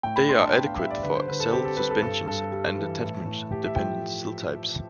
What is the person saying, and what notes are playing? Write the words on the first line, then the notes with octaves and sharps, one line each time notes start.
They are adequate for cell suspensions and attachment dependent cell types.
A2 G5
B5
D4 C6
A5
B3 G5
F5
G3 E5
D5
D3 B4
C5
D3 B4
A4
C4 G4
A4
G3 B4
A4
G2 A4
G2 A4
G3
E3
A2
A2
A3 G4
E5
F3 G5